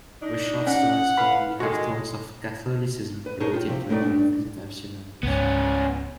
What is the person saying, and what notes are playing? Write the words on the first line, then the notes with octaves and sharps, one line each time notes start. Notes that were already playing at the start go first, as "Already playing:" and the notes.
The short stories commonly have tones of Catholicism related to life and death scenarios.
D4 D#4
C#4 F#5
B4 F5 B5
D#3 G#3 F#4 A4
B4
D#4 G#4 A#4 C#5 A5
F4 G4
C3 F3
A2 A3 D#4 C5 D5
G2 D4
C#2 G#2 B3 C#4